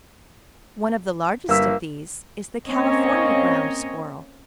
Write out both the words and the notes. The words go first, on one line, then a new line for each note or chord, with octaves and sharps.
One of the largest of these is the California Ground Squirrel.
G1 A#3 E6 B6
A#3 C4 C#4 C#5 D#5